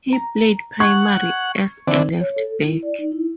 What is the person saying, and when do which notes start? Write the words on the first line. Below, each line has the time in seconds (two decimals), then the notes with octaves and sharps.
He played primarily as a left back.
0.13 A#5
0.80 F#5 C#6 G#6
1.87 D3 E3 C4 D5
2.20 C#5
2.36 A4
2.61 E4
2.83 D5
2.99 D#4
3.12 E4